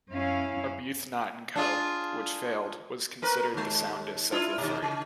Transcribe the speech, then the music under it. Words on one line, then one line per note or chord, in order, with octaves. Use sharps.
Arbuthnot and Co, which failed, was considered the soundest of the three.
F#2 C#4 E4 F5
D4 F4 G#4
C4 A#4 B4
D#2 G#3
D4 E4 F4
D#2 B2
C#3